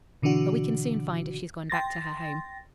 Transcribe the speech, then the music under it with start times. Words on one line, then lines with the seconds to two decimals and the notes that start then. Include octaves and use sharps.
But we can soon find if she's gone back to her home.
0.22 B2 D3 E3 D4 F#4
1.70 G5 C6 A6 A#6